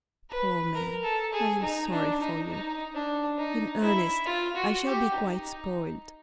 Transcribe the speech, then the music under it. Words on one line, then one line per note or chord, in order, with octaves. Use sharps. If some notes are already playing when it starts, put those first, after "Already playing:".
Poor man, I am sorry for you; in earnest, I shall be quite spoiled.
B4
A#4
A4
G#4
D#4
D4
D#4
D#4
D4
D#4
E4
F4
F#4
G4
D#4